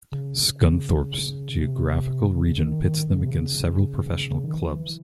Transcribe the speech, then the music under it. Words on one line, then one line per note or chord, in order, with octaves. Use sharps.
Scunthorpe's geographical region pits them against several professional clubs.
C#3
C#3
C3
C#3
D#3
D#3
D#3
C#3
C3
C#3
C#3
D#3
E3
E3